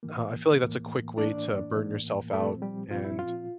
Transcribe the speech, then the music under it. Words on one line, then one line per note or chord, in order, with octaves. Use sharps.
Uh, I feel like that's a quick way to burn yourself out and
A2 E3 A#3
A2 E3 A#3
A2 E3 A#3 D4 D5
A2 E3 A#3
A#2 F3 A3 C4 A4
G3 G4
A#2 F3 C4 F4
E4
F4